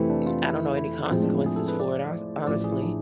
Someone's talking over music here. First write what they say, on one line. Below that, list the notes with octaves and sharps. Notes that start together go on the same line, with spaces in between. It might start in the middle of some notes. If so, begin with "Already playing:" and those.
m I don't know any consequences for it, hones honestly,
Already playing: F2 C3 E3 A3 C4 E4
D4
F4
E4
E4
A2 F3 G#3 C4
D4
E4
G#4
A4
B4
D5
C5
A1 A2 F3 D5
G#4
E4
D4